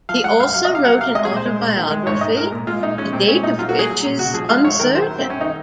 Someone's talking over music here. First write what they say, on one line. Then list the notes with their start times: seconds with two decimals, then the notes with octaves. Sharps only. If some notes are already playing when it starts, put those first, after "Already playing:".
He also wrote an autobiography, the date of which is uncertain.
0.09 F3 F5
0.24 G#3 F#5
0.39 F#2 F5
0.54 F#3 F5
0.65 D#5
0.70 C3 F5
0.85 F#3 F#5
1.00 C3 F5
1.15 G#3 D#5
1.25 G#4
1.31 A#2
1.36 C5
1.46 G#3
1.61 A#2
1.77 D#3
1.91 G#3
2.06 G#2 C#5
2.21 G#2 D#5
2.37 G#3 A#4
2.52 A#2
2.67 G#3 F4
2.82 A#2 D#4
2.98 G#3 C#4
3.13 A#2 C4
3.28 G#3 C#4
3.43 A#2 D#4
3.58 F#3 F4
3.69 F#4
3.73 A#2
3.79 G#4
3.89 F#3
4.04 A#2
4.19 C#3 F#4
4.34 F3 G#4
4.49 G#3 F5
4.64 F#2 C#5
4.80 D#3 A#4
4.95 F#3 C5
5.10 F#2
5.19 C4
5.25 F#2
5.30 C#4
5.41 D#3 D#4